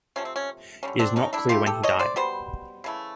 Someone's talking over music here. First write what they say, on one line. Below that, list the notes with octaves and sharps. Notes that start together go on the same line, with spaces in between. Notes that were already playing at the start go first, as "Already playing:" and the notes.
It is not clear when he died.
C3 F3 A3 C#4
C4
C#4
D3 G3 A#3 C#4
C4 D4
C#4 D#4
D4 E4
C3 E3 A3 F4 G4
G4 A4
C#5 D#5
C5 D5
B2 G3 B3 C5
C#3 E3 A3